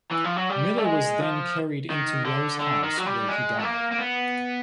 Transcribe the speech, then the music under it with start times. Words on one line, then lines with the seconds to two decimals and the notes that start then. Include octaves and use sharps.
Miller was then carried into Roe's house, where he died.
0.11 E3
0.25 F3
0.37 F#3
0.50 G3
0.78 A3
0.84 G#3
1.20 F3
1.90 D#3
2.25 D3
2.60 D3
2.83 D#3
2.97 F#3
3.06 G3
3.28 G#3
3.59 A3
3.63 A#3
3.91 A#3
3.98 B3